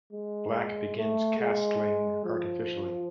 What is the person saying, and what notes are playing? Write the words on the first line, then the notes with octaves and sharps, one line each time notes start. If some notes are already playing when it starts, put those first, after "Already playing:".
Black begins castling artificially.
G#3
A3
G#3
F3